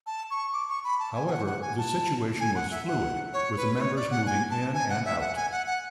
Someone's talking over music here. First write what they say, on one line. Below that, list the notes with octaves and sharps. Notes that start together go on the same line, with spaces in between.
However, the situation was fluid, with members moving in and out.
A5
C#6
D6
C#6
B5
A5
G#5
G#5
F#5
F#5
G#5
A5
G#5
F#5
E5
F#5
C#5
B4
B4
C#5
D5
F#5
G#5
A5
G#5
F#5
E5
F#5
G#5
F#5
F#5